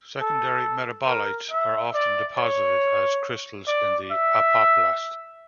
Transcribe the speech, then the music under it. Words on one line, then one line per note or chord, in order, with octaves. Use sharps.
Secondary metabolites are often deposited as crystals in the apoplast.
A4
A#4
E5
D5
C#5
D5
E5